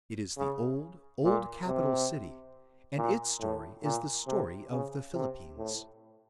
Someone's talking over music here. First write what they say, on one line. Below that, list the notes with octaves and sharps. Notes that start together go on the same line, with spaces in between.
It is the old, old capital city and its story is the story of the Philippines.
C#3
A#2
C3
A#2
A2
A#2
C3
C#3
C3
A2